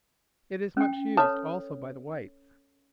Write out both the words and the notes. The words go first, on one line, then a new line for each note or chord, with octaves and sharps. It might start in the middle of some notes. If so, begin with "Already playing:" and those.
It is much used also by the whites.
C#4 G5
A4 B4 C#5 E5 A5